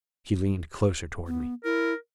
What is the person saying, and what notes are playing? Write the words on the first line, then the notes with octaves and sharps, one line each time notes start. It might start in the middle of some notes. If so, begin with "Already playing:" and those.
She leaned closer toward me.
B3
E4 A#4